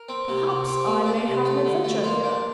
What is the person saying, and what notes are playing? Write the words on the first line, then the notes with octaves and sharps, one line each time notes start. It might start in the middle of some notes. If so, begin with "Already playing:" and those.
Perhaps I may have an adventure here.
Already playing: A#4
C4
C3
C3
C4
A#3
D4
C3
A3
D3
A3
A#3 C5
D4